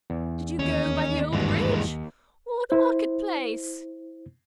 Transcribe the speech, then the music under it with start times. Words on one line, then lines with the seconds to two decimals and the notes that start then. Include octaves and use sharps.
Did you go by the old bridge, or the market-place?
0.10 E2
0.59 D#2 C#4
1.33 G#1 G2 E3 G#3
2.72 E4 C5